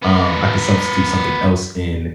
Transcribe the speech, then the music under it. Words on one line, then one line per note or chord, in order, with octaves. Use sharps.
um I could substitute something else in."
B3 A#4